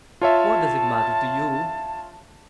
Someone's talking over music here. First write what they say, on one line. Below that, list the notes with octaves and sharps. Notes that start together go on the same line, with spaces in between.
"What does it matter to you?"
F4 C#5 E5 A5